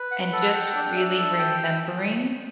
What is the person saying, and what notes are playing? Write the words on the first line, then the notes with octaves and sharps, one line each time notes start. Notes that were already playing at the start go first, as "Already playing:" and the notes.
and just really remembering
Already playing: B4
F#5
A4
G5
D4
E5
A4
G5